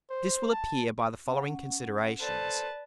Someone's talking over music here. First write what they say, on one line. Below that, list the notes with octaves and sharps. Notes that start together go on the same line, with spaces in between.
This will appear by the following Considerations.
C5
A5
C#4 F#5
A4 B4 C5 D5 A5